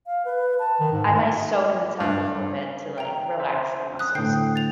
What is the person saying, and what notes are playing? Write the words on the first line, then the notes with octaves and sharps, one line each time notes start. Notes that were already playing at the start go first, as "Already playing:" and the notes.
I might soak in the tub before bed to, like, relax the muscles.
F5
B4
A5
D#3
G#2
G2
G5 A#5
C5 E5 G#5
D#6 F#6
A2 D3 G5 G6 C7
A6 F7